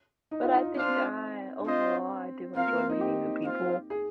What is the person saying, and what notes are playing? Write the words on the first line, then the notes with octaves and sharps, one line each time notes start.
But I think I overall, I do enjoy meeting new people.
D#4
F4
D#4
D#4
C4 D4 F4 C5 F5
D4
C4 F4 C5 D#5
C4 F4 A#4 F5
A#3
C4
D#4
G4
C4 F4 C5 F5
G#4